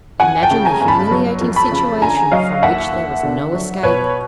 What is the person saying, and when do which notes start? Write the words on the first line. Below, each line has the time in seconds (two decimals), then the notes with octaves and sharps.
Imagine the humiliating situation, from which there was no escape.
0.20 F2 F#5 G#5
0.43 G5 A5
0.51 C#3
0.65 G#5 A#5
0.81 G1
0.88 A5 B5
1.11 F#3
1.41 F2
1.56 A5 B5
1.72 C#3
2.02 D3 G#5 A#5
2.32 F#3 D#5 F5
2.62 D#2 E5 F#5
2.93 D#2
3.23 D3
3.53 F#3
3.83 B2 B4 C#5